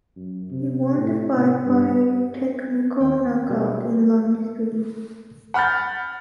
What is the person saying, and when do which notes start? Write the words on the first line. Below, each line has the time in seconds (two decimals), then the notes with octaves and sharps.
He won the fight via technical knockout in round three.
0.16 F#2
0.51 C3
0.97 A2
1.35 C3
1.65 G2
3.01 D#2 G5
3.49 B2 G3 G#3 A#3
5.54 F#5 B5 F6 G6 A6